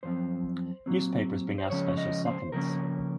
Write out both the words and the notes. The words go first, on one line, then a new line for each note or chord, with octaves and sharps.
Newspapers bring out special supplements.
F#2 F3 C4 C5
A#2 F#3 C4
C5
C#3 F3 G#3 C#4 C#5
D#5
C5
C#3 F3 A#3 C#4 A#4